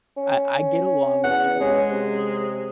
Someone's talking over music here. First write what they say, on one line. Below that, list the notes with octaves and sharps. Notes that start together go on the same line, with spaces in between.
I I get along with people
C#4
E2 F#5
G#3 C#4
C3